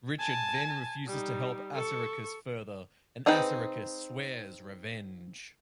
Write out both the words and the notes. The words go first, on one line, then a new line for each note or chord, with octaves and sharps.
Richard then refuses to help Assaracus further, and Assaracus swears revenge.
G#5 A5
G3 D#4
A4 C#6
C4 D#4 G#4 B4 G5